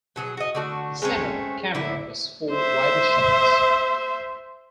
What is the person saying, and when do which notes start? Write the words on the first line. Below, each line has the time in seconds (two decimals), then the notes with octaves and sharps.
The center camera was for wider shots.
0.16 B2 F#3 G#4
0.37 F#4 D#5
0.55 D3 A3 F#4
1.02 G#3 A3 C4 C#4
1.75 D3 E4
2.51 C5 E5